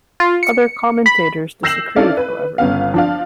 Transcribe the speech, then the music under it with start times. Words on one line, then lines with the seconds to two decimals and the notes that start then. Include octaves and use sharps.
Other commentators disagree however.
0.20 F4
0.43 C#7
1.06 B5
1.63 E6 G6 A#6 C7 E7 F#7
1.96 C#4 D#4 E4 A4 D5 F5
2.17 B4
2.58 G1 C#3 B3 F5
2.94 F3 D4 F5